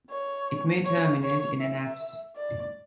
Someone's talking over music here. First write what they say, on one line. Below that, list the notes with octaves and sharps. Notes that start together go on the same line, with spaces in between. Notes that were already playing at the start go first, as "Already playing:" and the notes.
It may terminate in an apse.
C#5
C#5
C#5
E5
D5